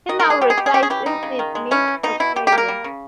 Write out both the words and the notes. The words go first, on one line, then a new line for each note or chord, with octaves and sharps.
He now resides in Sydney, Australia.
D#3 D#5
A#4
G#3 G#4
B2 G4
G#4
B2 G4
G#4
C#4 G4
G#4
E3 G4
G3 D#4
C#3
D#3
G#3
E3 C#4
E3
B2 D#4
B2 E4
B2 G4
G4
A#3
A#4
G3
C#3